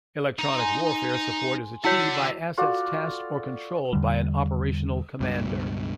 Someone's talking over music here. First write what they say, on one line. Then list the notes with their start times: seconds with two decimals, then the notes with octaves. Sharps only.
Electronic warfare support is achieved by assets tasked or controlled by an operational commander.
0.39 D#4 A#5
0.56 G#5 C6
1.85 D3 E4 F#4 C#5 F#5 E6 B6 C7
2.58 F4 F#4 A4 D5
3.93 E2 D3 G3
5.20 C#2 G2 B2